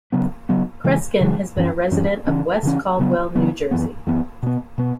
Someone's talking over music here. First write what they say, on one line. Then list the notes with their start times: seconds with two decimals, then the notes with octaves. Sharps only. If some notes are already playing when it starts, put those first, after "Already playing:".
Kreskin has been a resident of West Caldwell, New Jersey.
0.12 C#3 F#3 B3
0.49 C#3 F#3 B3
0.84 C#3 E3 G#3
1.21 C#3 E3 G#3
1.56 F#2 E3 C#4
1.91 F#2 E3 C#4
2.27 C#3 E3 C#4
2.63 C#3 E3 C#4
2.99 C#3 F#3 B3
3.35 C#3 F#3 B3
3.71 F#2 E3 B3
4.07 F#2 E3 B3
4.43 B2 B3
4.78 B2 B3